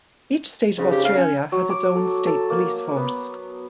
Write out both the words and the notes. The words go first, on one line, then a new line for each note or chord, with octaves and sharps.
Each state of Australia has its own state police force.
F2 G#2 C#3
G4
F5
C#4
F#3
D6
A4
A4
A#3
B3